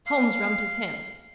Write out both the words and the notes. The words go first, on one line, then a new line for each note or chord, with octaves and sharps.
Holmes rubbed his hands.
F5